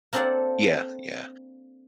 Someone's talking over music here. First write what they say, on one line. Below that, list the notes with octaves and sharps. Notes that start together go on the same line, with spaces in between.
Yeah. Yeah.
A#3 C4 D4 A4 D5 F#5